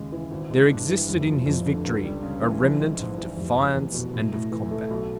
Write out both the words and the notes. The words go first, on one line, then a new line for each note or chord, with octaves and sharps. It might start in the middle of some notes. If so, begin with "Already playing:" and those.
There existed in his victory a remnant of defiance and of combat.
Already playing: D#2 C#3 G#3
E3
G#1
G#3
G2
E3
F1
F3
F2
D3
C#2
G3
C#3
E3
A#1
G#3
G#2
E3
F1
F1
E2
B2
A2
A2
E3
A3
B1